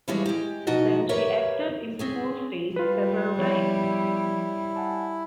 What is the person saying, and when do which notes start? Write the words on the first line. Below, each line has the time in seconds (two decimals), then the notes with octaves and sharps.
Then she acted in school stage several times.
0.08 E3 F3 G3 G#3 C#4 C#5
0.26 G#3 G4
0.67 B2 F3 D#4 F#4 D#5
1.09 G4 A#4 B4 C#5 E5
1.99 C4 C#4 G#4
2.76 G3 F4 B4
3.39 F3 B3 E4 C#5
4.76 F#5 G#5 A5